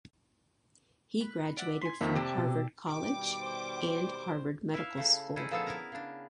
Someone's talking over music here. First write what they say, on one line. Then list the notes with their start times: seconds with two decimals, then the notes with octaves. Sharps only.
He graduated from Harvard College and Harvard Medical School.
1.20 B4
1.57 D5 E5 F#5
1.82 G#5 C6 B6
2.01 F2 D#3 A#3 E5 F5 A#5
2.15 C3 D4 G4 A4
2.38 B2
2.88 B2 D#3 G3 G5 D6
3.41 C5
4.74 E4 B4 E5 F5
4.97 C#3 A3
5.36 D3 C#4 D#4 E4 G#4 A4
5.51 A#2 F3 A3 B3 G#4 A4
5.66 B3 E4 A#4 A#5
5.92 C#3 D4